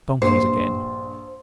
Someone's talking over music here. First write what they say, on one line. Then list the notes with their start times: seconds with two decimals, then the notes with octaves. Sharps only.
Donkeys again.
0.22 A#1 G2 C5